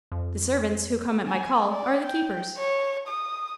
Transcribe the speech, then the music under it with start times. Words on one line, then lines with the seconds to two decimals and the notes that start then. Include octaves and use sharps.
The servants who come at my call are the keepers.
0.12 F2
1.28 G#5
1.70 D5
2.05 G5
2.58 C#5
3.08 D#6